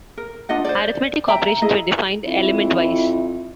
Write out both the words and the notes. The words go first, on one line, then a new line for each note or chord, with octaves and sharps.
Arithmetic operations were defined elementwise.
A#4
D4 F4 D#5 F#5
C5 D5
E5 G5 A#5
E4 G#4 D#5 A#5
F2 E4